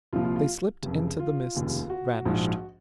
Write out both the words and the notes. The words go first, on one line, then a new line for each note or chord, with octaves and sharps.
They slipped into the mists; vanished.
C2 A#2 F3 F4
F4
F4
F1 F2 C#3
F4
F1 D#2 C#3
F#4
A#1 G#2 F3